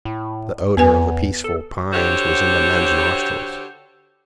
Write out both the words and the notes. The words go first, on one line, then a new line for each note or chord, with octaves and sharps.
The odor of the peaceful pines was in the men's nostrils.
A2
E2 B3 B4 G#5
A4
D3 F#4 G4 A4 C5 C#5